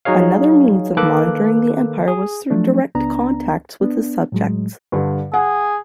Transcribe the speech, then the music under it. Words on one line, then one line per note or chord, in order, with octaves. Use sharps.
Another means of monitoring the Empire was through direct contacts with his subjects.
F#3 D#4 G#4 C#5 F5
D#3 A#3 A4 B4 D6 F#6
G#4
F3 F#3 A3 D4
C#2 B3 D4 A#5
B3 D4
A2 F#3 G#3
G2 D3
G#4 F#5